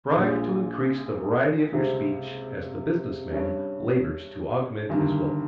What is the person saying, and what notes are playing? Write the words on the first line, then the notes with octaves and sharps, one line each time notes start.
Strive to increase the variety of your speech as the business man labors to augment his wealth.
A#1 A#2 G#3
C#2 C3 G3 C4 G4
G2 G3 C#4
G1 G2 D#3